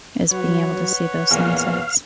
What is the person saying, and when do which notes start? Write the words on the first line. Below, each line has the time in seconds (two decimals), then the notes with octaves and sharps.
is being able to see those sunsets.
0.31 F#3 B4 C#5 F#5
1.31 E2 A#2 F5